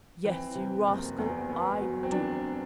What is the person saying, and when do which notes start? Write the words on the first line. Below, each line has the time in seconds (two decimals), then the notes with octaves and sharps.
"Yes, you rascal, I do."
0.25 E3 C4
0.55 C3
0.88 F#1
1.18 E2
1.49 B3
1.81 F#3
2.03 C4
2.12 D4